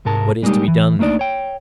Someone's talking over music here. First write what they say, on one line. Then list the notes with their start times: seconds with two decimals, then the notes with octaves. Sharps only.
What is to be done then?
0.05 C2 G#2 A#4 A5
0.43 G3 G#3 A#3 D4 D#4 G4
0.68 E3
0.99 A3 A#3 D4 D#4 D5
1.19 C#5 G5